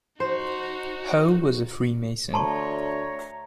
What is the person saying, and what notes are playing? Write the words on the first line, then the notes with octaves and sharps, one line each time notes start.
Hoe was a Freemason.
D#4 F#4 C5
D2 C#5 A5 A#5 C6 C#6